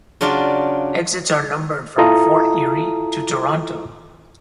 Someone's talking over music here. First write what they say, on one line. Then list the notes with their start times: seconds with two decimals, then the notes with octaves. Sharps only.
Exits are numbered from Fort Erie to Toronto.
0.21 C#3 F#3 D4 F4 D5
1.98 E4 F4 A4 A5 A#5 D#6